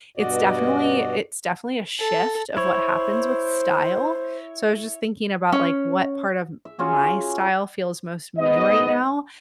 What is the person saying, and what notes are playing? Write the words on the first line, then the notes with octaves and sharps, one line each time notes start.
it's definitely it's definitely a shift of what happens with style, so I was just thinking about, like, what part of my style feels most me right now,
G2 B2 F#4 D5 D#5
A4
E4 C5 C#5
C#4
E5
C#4 F4 F#4 G#4
G#2 B3 D#5